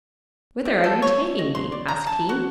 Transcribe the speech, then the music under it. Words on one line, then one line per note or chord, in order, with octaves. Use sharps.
"Whither are you taking me?" asked he.
G3
A4
C#5
D#5
C6
D5
A#5
A5
F#4